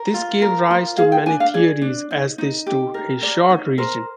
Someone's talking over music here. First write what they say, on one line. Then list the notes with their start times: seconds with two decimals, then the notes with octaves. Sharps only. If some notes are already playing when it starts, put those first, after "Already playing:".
This gave rise to many theories as to his short reign.
Already playing: A#4
0.14 F4
0.42 A#4
0.71 F4
0.97 G#4 F5
1.12 G5
1.26 D4 G#5
1.40 F5
1.54 G#4 D5
1.82 D4
2.11 D#4
2.38 D#4
2.66 G4
2.94 A#4
3.22 A#4 D5
3.50 D#4
3.78 A#4 C5